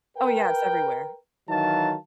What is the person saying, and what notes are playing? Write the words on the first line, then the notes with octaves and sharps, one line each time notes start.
Oh, yeah, it's everywhere.
A#4 B4 G5
D#3 E3 F#3 D#4 F5 A5